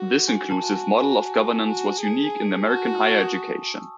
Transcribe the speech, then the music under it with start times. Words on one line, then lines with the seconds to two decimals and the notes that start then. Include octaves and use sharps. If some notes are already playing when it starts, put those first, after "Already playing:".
This inclusive model of governance was unique in American higher education.
Already playing: F#4
0.28 G#5
0.51 A5
0.62 F#4 G#5
0.97 F#4 G#5
1.66 F#4 G#5
2.00 G#4
2.70 F#4 A5
3.04 C#6
3.22 D#6
3.40 C#6
3.74 E6